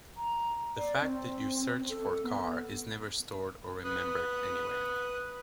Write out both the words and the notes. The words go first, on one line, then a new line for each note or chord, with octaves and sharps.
The fact that you searched for “car” is never stored or remembered anywhere.
A#5
D5
C4
A4
B3
B4 D#6 F#6